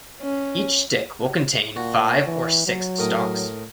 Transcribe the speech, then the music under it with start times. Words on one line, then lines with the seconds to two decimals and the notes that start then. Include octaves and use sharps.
Each stick will contain five or six stalks.
0.22 C#4
1.76 A#2 F#4
2.26 E3
2.66 F#3
2.99 A2 A#4 D#6